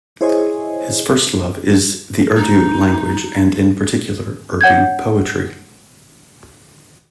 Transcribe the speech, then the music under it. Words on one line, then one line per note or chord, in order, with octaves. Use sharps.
His first love is the Urdu language and in particular Urdu poetry.
E4 G#4 C5 C#5 D#5 G#5
D#4
C#5 F#5 G6 G#6